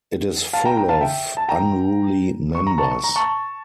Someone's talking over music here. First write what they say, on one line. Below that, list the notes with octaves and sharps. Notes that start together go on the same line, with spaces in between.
It is full of unruly members.
F5 A5
G5 A#5
G5 A#5
F5 A5
E5 G5
A5
G5 A#5
C#6
A#5
A5 C#6
C#6
A#5
A5 C#6